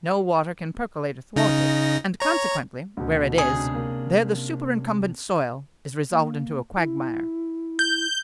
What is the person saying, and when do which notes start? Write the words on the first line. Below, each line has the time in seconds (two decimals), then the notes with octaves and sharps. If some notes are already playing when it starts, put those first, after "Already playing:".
No water can percolate athwart it, and consequently where it is, there the superincumbent soil is resolved into a quagmire.
1.36 C#3 D#4 A#6
2.20 C#5 A#5
2.97 D2 B2
3.38 C3 C#4 D4 G#4
3.75 A#3
6.10 A#3
6.76 E4
7.79 G6